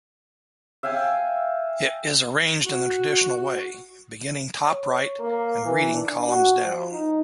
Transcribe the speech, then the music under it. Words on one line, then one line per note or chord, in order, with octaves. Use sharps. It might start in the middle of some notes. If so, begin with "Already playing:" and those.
It is arranged in the traditional way, beginning top right and reading columns down.
E5 F5 G5 G#5
F#4
C#5
A#3
E3
D4
F#4
F3
D#4